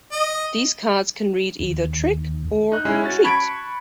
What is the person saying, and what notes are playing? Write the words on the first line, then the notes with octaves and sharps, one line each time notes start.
These cards can read either 'Trick' or 'Treat'.
D#5
D#2
D#4 F#6
G#3 C#4 E4 G#5
C#4 F#4 A6
A5 B5 C#6 G#6 B6 D7